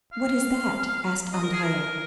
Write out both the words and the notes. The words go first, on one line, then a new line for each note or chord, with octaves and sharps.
"What is that?" asked Andrea.
F5
D#5
A#4
G#4
A#4